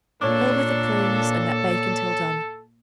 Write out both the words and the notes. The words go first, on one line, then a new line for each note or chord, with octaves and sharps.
Fill with the prunes and let bake until done.
A#2 D4 A4 C#5 D6